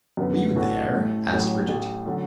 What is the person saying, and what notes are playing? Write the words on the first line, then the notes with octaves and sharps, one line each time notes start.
"Were you there?" asked Brigitte.
F#2 D3 B3
A2 E3 D4 F#4 A4
A1 A2 A3
A1 A2 F#3 A3
A1 A2 A3
D3 F#3 D4 A4